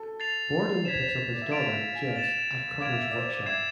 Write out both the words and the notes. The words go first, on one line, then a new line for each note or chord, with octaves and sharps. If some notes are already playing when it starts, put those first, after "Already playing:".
Borden picks up his daughter, Jess, at Cutter's workshop.
Already playing: A4
A6 C7 F7
C5 G#6 B6 E7
C5
D5
E5
F5 A6 D7 F7
E5
F5
G#5
F5
A6 E7
F5 D6 G#6 D7 F7
E5
E5
D5
C5
D5
E5 G#6 C7 E7